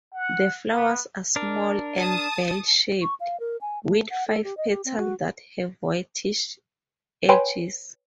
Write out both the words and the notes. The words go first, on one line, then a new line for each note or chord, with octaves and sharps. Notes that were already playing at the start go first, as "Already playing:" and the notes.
The flowers are small and bell-shaped, with five petals that have whitish edges.
F#5
B3
D4 A#4
A5 D#6
C#6
F5
A#4
G#5
A3
F#5
A4
G4
D#5
G4
C4
F#4
B4 C#5 G5 G#5 B5 C6